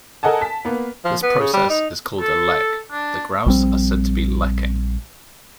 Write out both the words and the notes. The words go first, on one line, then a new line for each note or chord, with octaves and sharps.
This process is called a "lek"-the grouse are said to be "lekking".
A4 A#4 D#5 F#5 G#5 A5
A5 B6
A#3 B3
F3
B3
C#3
G3
D#4
A4
D4
A#1 G3 C4